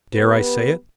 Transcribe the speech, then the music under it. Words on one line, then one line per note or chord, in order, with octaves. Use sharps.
Dare I say it?
B3 G4 B4